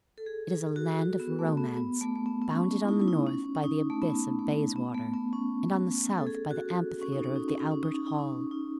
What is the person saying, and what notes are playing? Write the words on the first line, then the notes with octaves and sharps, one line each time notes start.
It is a land of romance, bounded on the north by the Abyss of Bayswater, and on the south by the Amphitheatre of the Albert Hall.
A4
G#4
G#4
G#4
F#4
F#4
B3
A3
B3
B3
A3
A3
B3
B3
C#4
E4
D#4
E4
D#4
C#4
C#4
D#4
A3
B3
A3
B3
A3
B3
C#4
A4
G#4
F#4
C#4
D#4
C#4
D#4
C#4
D#4
C#4
D#4
C#4
D#4
C#4
D#4